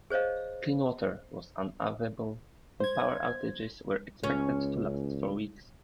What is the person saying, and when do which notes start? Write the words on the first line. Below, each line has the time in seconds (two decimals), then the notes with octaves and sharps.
Clean water was unavailable, and power outages were expected to last for weeks.
0.10 G#4 C5 C#5 D#5 F5
2.80 C5 G#6
4.24 C#2 C#4